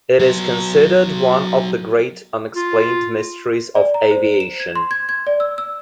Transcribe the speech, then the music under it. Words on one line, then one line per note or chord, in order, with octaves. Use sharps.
It is considered one of the great unexplained mysteries of aviation.
F#3 B3
F4
D5
A#5
C5
E7
G#6
C6
G#6
G#6
D5
E6
E6